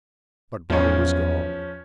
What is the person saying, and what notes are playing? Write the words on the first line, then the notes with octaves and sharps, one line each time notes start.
But Bobby was gone.
E2 F3 C#4